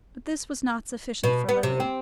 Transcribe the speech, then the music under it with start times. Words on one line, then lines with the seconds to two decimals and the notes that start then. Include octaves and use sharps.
But this was not sufficient for Lily.
1.24 B2
1.49 B3
1.63 C3
1.80 C4